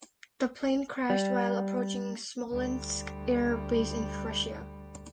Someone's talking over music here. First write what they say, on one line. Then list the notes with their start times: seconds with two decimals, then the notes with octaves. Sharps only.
The plane crashed while approaching Smolensk Air Base in Russia.
1.10 G3
2.51 D2 G3